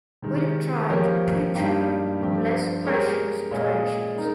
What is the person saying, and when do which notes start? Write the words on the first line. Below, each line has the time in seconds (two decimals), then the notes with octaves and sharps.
We'll try to pitch him in less pressure situations.
0.22 C3 D#3 G#3
0.89 F3 A#3 C#4 G4 A#4
1.54 G2 G3 A#3 D#4 G4
2.20 G2 F3 C4 G4
2.85 G#3 C#4 G4 A#4 C#5
3.51 A#2 G#3 C#4 G#4 D#5
4.16 G#3 D#4 A#4